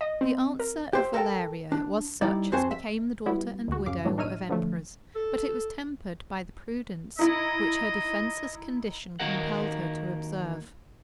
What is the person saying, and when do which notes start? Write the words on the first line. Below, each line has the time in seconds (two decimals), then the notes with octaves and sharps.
The answer of Valeria was such as became the daughter and widow of emperors, but it was tempered by the prudence which her defenceless condition compelled her to observe.
0.01 D#5
0.21 C4
0.60 A#4
0.93 G4 C5 E5
1.14 A4 A#4 E5 G5 A5
1.72 D4
2.21 G3 D#4 E4 D5
2.52 F2 C4 F#4 G#4 C5 A5
2.71 E5
3.26 F#3 G3 B3 E4 F#4
3.68 D2 F#4
3.86 F#2 C#3 F5 D6
4.05 A2 F#3 G3 A3 D4
4.18 D4 D#4 C#5 E5 F6 D#7
4.49 D3 F3 F#3 A3
5.15 A4
7.19 D#4 E4 D#5
9.20 D#3 F#3 A#3 D#4 A#4 F#5